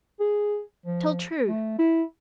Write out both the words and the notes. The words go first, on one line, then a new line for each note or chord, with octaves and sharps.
Tell true.'
G#4
F3
A3
E4